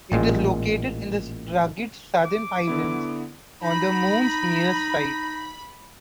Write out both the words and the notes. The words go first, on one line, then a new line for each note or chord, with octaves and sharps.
It is located in the rugged southern highlands on the Moon's near side.
A1 A#2 G#3
D6
D3 B3 E4
D#4 B5